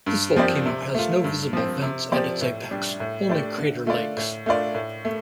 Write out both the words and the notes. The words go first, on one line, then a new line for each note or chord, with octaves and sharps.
This volcano has no visible vents at its apex, only crater lakes.
G2
F3 C4 G4 D5
C3
A3 F4
G2
F3 C4
C3
F3 C4 G4 D5
A2
G3 D4 G4
A2
A3 D4 G4 D5
D3
A3 F4 D5
A2
A3 D4 F4 D5
A2
A3